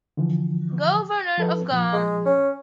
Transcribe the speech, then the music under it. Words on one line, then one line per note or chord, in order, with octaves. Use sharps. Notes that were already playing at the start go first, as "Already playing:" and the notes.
Governor of Guam.
D3 E3 F3
F3 A4 B4
A#2 F3
G#3
C#4